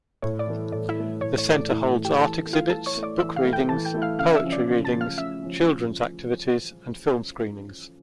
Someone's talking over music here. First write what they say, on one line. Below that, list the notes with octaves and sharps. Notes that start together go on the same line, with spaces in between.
The centre holds art exhibits, book readings, poetry readings, children's activities and film screenings.
A2 C#5
D5
E3 A3
A2 D5
E4 E5
E3 A3
A2 C#5
C#5
E3 A3
D5
A2 E4 E5
E3 A3
G4 G5
E3 A4 A5
A3 E4
F4 F5
E3 A4 A5
C#5 C#6
A3 E4
D5 D6
E3 E5 E6
F5 F6
A3 E4
G5 G6
E3 A5 A6
G5 G6
A3 E4
F5 F6
C#3 F5 F6
E5 E6
F3 C#4
D5 D6
C#3
A5 A6
F3 C#4
F5 F6
C#3 E5 E6
F3 C#4